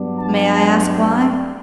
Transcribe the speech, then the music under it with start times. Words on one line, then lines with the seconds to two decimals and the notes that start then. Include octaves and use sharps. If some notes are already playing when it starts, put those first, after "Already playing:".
"May I ask why?"
Already playing: G2 F#3 B3 D4
0.18 A5
0.60 G5